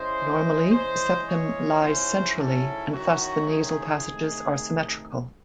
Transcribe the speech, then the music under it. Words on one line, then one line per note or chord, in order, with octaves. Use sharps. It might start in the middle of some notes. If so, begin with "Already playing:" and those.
Normally, the septum lies centrally, and thus the nasal passages are symmetrical.
Already playing: C#3 G#3 C#4 E4 C5
E3 G#3 C#4 C5
C#5
G#2 F#3 C#4 E4 C5
A4
D#3 F#3 C#4 E4 F#4
G#4
C3 D#3 A3